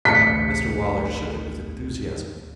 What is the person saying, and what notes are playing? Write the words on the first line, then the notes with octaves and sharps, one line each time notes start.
Mr Waller shook it with enthusiasm.
A1 D2 B6 C#7